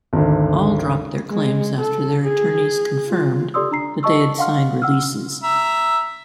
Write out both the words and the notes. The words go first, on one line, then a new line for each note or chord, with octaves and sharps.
All dropped their claims after their attorneys confirmed that they had signed releases.
G#1 D2
G#3
A4
G#4
F4
G4 A4 D5 C6 D#6 E6
D4 A#5 C7
G4 D#5 A5 C#6 E6
F5 F#5 C6 F6
F#5 E6 F6
E5 A#5